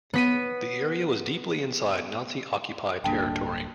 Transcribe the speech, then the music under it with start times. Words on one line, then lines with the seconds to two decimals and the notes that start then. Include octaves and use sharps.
The area was deeply inside Nazi-occupied territory.
0.14 B3 B6 D#7
3.04 D1 G2 D3 A#3 D4 G5 A5